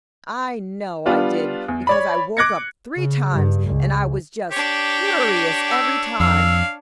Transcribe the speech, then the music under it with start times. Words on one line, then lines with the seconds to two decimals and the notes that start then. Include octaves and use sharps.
I know I did because I woke up three times and I was just furious every time.
1.06 G3 B3 D4 F4
1.68 E2
1.87 C#5 D5 B5
2.37 D6 F#6 G#6 A#6 C#7
2.96 C#3
3.32 G2
3.69 C#2
4.51 D4 G4 C#5
5.71 E6
6.20 F2 F5 E6